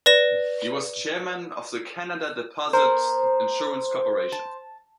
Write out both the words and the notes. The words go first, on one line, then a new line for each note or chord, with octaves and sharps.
He was chairman of the Canada Deposit Insurance Corporation.
B4 D5 A#6 E7
B3 A#4 C5
A5